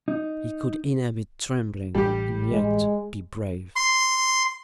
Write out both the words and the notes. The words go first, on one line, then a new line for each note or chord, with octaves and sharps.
He could "inhabit trembling," and yet be brave.
D#4
A1 G3 G4
G#3
C6